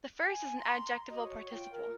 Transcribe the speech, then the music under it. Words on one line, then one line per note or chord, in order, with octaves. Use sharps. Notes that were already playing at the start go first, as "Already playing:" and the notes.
The first is an adjectival participle.
G#5
A#5 C6
F#4 D#5
C#5
F4 G5
A#4